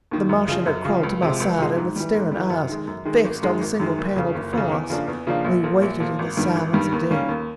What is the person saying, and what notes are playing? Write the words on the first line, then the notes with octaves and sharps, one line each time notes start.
The Martian had crawled to my side and with staring eyes fixed on the single panel before us we waited in the silence of death.
D#2 D#3
F#2
C#3 F3
F#2
C#3 F3
C#2
C3 F3 G#3
C#2
C3 F3 G#3
G#2
E3 G3
G#2
E3 G3
F#2
D#3 G#3
F#2
D#3 G#3
G#1
F#2 D#3 G#3
G#1
F#2 D#3 G#3
F#1
F2 C#3
F#1
F2 C#3
E2
C#3 F3 A#3 D4
E2
C#3 F3 A#3 D4
A#1
A#2 F3
A#1
A#2 F3
G#1
G2 D#3 G3
G#1
G2 D#3 G3
D#2
D#3 G3 A#3 C#4
D#2